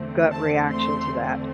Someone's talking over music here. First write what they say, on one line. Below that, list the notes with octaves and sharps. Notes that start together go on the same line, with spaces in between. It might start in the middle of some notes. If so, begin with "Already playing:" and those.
gut reaction to that?
Already playing: E2 D3 A3 C4
A5
C6